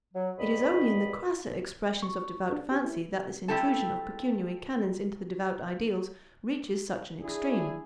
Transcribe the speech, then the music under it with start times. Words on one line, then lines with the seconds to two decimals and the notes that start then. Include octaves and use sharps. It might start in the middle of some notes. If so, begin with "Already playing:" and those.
It is only in the crasser expressions of devout fancy that this intrusion of pecuniary canons into the devout ideals reaches such an extreme.
0.14 F#3
0.38 E2 G2 A#2 D#5 B5
2.03 C#6
2.52 D4
2.71 G4
2.85 E4
3.48 G3 C4 E4 G4 A4 A5
7.23 D4 E4 G#4